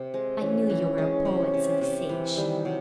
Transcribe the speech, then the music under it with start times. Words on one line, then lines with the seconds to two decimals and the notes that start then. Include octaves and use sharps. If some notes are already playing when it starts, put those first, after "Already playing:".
"I knew you were a poet," said the sage.
Already playing: C3
0.14 G#3 C4
0.41 E3 C#4
0.70 E3
0.98 G#3
1.25 C3
1.54 C3
1.81 C3
2.09 E3
2.37 D#3 G3
2.65 C3 F#3